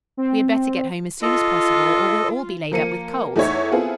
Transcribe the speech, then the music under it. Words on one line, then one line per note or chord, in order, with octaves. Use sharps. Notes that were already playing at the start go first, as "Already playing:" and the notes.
"We had better get home as soon as possible or we'll all be laid up with colds."
C4
F4 A4 D#5
F3 A#3 C#7 D#7
E2 A3 D#4 E4 C#5 E5
B3 C4 E4 F4 G#4 A4